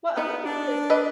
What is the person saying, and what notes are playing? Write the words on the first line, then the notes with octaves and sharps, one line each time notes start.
Well, I like it because,
B3 D#4
D4
B4 D#5